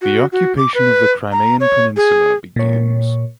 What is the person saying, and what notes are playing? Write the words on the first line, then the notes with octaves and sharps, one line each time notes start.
The occupation of the Crimean peninsula begins.
F#4
F#4
D6
B4
A#5
C#5
G#4
A#2 C#5